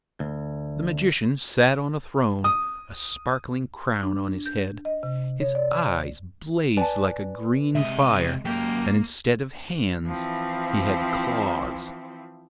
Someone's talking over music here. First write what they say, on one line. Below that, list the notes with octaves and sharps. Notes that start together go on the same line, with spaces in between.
The Magician sat on a throne, a sparkling crown on his head; his eyes blazed like a green fire, and instead of hands he had claws.
D2
D#6
D4
G6
D#5
C3
C#5
D5
B4 D5 G#5 A5
C3 G#3 D#5 E5
F#2 A#3 G4 G5
E3 F3 C4 E4